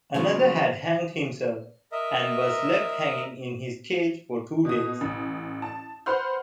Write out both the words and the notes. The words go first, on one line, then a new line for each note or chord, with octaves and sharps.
Another had hanged himself, and was left hanging in his cage for two days.
C#3 F3 F#3 B3
A#4 D#5 E5
B2 D#6
A1
A5
B4 C5 F#5 C6 F6 G6